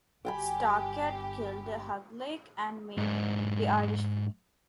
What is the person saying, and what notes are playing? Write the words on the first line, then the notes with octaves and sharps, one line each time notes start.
Starkad killed Hugleik and made the Irish flee.
G1 G4 G5 G#5 B5
G#2 D4